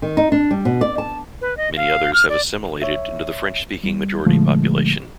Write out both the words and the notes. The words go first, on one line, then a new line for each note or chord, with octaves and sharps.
Many others have assimilated into the French-speaking majority population.
D#3
D#4
D4
G3
B2
D5
A5
B4
D#5
F5
F6
D5
C#5 E5
G3
A#2 D3 F3 G#3 A3